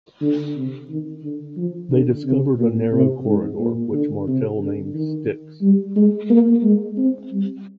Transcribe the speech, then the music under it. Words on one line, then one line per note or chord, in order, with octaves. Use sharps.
They discovered a narrow corridor which Martel named "Styx".
D3
C3
D#3
D3
F3
D3
C3
A#2
C3
G#2
A#2
D3
C3
D3
D#3
G3
G#3
A#3
G#3
C4
G3